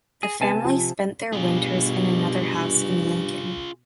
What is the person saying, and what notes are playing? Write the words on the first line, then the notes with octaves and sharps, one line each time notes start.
The family spent their winters in another house in Lincoln.
G#4
C3 B3 G#5 A5
F3
G2 B2 F4 G#4